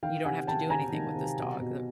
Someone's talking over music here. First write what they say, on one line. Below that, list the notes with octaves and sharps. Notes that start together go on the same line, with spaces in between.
you don't have to do anything with this dog. Th
D#3 F5 G5
C3 F#5 G#5
D#3 G5 A5
C3 G#5 A#5
D#3
C3
B2
B2